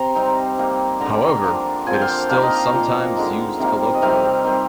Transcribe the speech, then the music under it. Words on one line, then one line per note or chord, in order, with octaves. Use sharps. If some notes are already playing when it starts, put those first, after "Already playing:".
However, it is still sometimes used colloquially.
Already playing: C3 A#5 C6
G3 C4 D#4
G3 A#3 D#4
D3 G3 D4 A#5
F3 A#3 D4
D3 F3 C4 G#5
G5
F5
G5
D#3 A#3 D4 F4 F5
D#5
F5
A#2 F3 A#3
D3 G#3 D#4
C3 D#3 G3 A#3
D#5
C3 D#3 G3 C4 F5
D#3 G3 C4